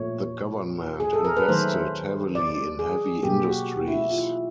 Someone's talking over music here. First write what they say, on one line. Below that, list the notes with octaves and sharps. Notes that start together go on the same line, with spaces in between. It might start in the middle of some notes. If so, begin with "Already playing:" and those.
The government invested heavily in heavy industries.
Already playing: A#2 F3 A3 C#5
G#4
A4
A#4
B4
D#3 F#3 A3 C5
D5
G#4
B2 F#3 A#3 G4
F#4
E4
F4